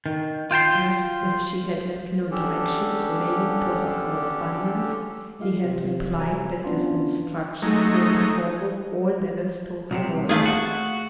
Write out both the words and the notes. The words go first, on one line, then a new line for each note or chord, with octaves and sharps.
Asked if she had left no directions relating to her correspondence, he had replied that his instructions were to forward all letters to her lawyer.
D#3
F4 G5 A5 C6
E2 D3 C#4 D4 G4 A4
G3 G#3 F4 F5
C3 F3
C3 F#4 G#5 A#5
B3 C#4 D4 E4 F4
F#3 G#3 A3 D#4
C2 A2 C3
D#2 A3 F4 G#4
F#4